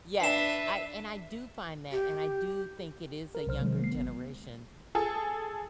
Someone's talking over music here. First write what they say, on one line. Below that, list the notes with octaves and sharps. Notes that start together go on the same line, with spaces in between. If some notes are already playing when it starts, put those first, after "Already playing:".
Yes, I and I do find that, and I do think it is a younger generation,
D4 B4 E5 C7 E7
G4
A#4
B1 C3 C5 F6
C3 D#3 F#3 G#3
A#3 C7
G#1 B3
G#4 A4